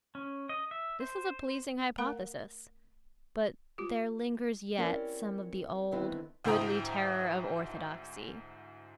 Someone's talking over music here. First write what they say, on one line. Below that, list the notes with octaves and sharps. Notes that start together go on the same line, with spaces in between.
This is a pleasing hypothesis; but there lingers yet some of the old, goodly terror of orthodoxy.
C#4
D#5
E5
C5
A3 A#4 F#5 A#5
F4 G4
C4 C#4 E4 G4 A#4 D5
D3 D#3 B3 C4 E4 B4
D2 G#2 E4 G5 A#5 D#6